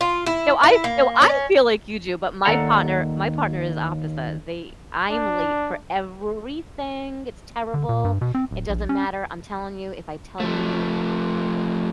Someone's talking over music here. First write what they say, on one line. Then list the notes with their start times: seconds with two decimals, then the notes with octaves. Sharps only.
No, I no, I feel like you do, but my partner my partner is opposite. They I'm late for everything, it's terrible. It doesn't matter, I'm telling you if I tell you
0.01 F4
0.26 E4
0.63 E4
0.84 A#3
1.22 C#4
2.45 D#2 A4 D5 F#5 A#5
5.11 D4
7.74 D3
7.89 A#2
8.05 G2
8.21 B2
8.35 C4
8.51 D1
8.69 A#1
8.89 C#4
10.40 F3 A3